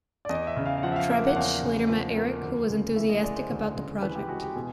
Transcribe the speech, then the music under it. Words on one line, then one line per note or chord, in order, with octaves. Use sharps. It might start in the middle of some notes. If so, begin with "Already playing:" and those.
Trebitsch later met Erich, who was enthusiastic about the project.
D5
E2 D#5
E5
C#3
F5
F5
F3 F#5
E5
F5
A#3 E5
F#5
E2 F5
C#3
F3
A#3
D2
C#3
E3 E5
D#5
G#3 D5
C5
D2
C#3
E3 B4
G4
G#3 F#4
G4
B2 G#4